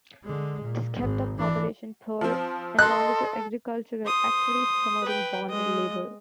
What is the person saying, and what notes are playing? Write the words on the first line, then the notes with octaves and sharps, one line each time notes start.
This kept the population poor and bonded to agricultural activities promoting bonded labor.
D3 G#3
A#2
G#1 G#2
E3 D4
F3 C4
A4 D#5 C6 F#6
C5 D#6
B4 G5
G#3 D#5